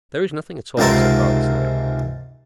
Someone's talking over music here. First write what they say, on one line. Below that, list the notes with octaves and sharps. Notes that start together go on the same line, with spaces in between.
"There is nothing at all," said Father Snail.
C#2 G#2 C3 A#4 A5 C6